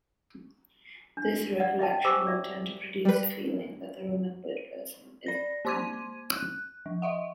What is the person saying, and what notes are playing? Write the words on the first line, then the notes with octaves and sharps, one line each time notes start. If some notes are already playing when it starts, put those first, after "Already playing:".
This recollection will tend to produce the feeling that the remembered person is "coming".
D4
D5 F#5
D#5 E5 G5 A5
G4 C5 G#5 D6 E6
D5 E5
G3 B4
D5 A#6
A#3 C5 C6 D6 G#6 D#7
F#6
F3
D#5 E5 F#5